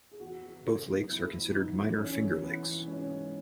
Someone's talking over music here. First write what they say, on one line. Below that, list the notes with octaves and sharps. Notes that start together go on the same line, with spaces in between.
Both lakes are considered minor Finger Lakes.
G#4
E2 F#4
E2
C#3
F#3
E2 E4
E2
E2 D#4
F#3
E3 C#4
E3
E3 B3
E3
G#2 C#4
G#2